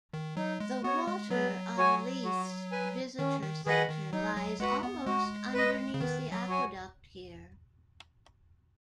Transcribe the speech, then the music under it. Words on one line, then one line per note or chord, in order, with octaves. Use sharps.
The Water of Leith's visitor centre lies almost underneath the aqueduct here.
D#3
F#3 D#4
G#3
B3 F#4 C#5
G#3
F#3 B3
F#4 C#5 G#5
F#4
B4 G#5
D#3 C#4
D#3
D#3 G#4 B4 D#5 F#5
D#3
F#3 D#4
F#3
G#3 F#4 B4 F#5
B3
G#3 F#4
B4 D#5
C#3
D#3 B3
F#3
F#4 C#5 G#5